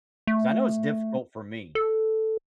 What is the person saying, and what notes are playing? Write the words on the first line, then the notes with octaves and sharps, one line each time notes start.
'Cause I know it's difficult for me.
A3
A4